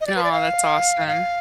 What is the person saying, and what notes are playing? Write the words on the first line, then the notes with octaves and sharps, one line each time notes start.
Aw, that's awesome.
D#5
D5
B4
D5
F5
F5